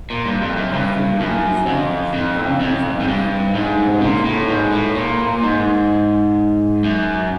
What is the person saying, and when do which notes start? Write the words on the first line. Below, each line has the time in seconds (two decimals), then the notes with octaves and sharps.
After hearing the song, Santana decided to have Thomas record the final version.
0.10 A#2
0.26 G2
0.41 F2
0.56 F#2
0.73 G2
1.20 F#2
1.66 F2
2.13 F2
2.60 F2
3.00 G#2
3.08 G2
3.55 G#2
4.01 A#2
4.25 A2
4.48 G#2
4.72 A2
4.95 A#2
5.43 G#2
6.84 F#2